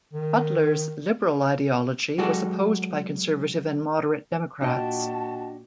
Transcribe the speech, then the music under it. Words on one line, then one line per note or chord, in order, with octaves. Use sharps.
Butler's liberal ideology was opposed by conservative and moderate Democrats.
D#3
F#3 G#3 F#4 G4 A4 D5
A#2 D4 F#4 D#5 G5 A5